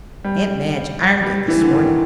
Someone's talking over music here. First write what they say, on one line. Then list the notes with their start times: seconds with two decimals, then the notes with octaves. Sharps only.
"Aunt Madge ironed it this morning."
0.24 G3
1.23 G3
1.48 E3
1.61 D3
1.73 D#3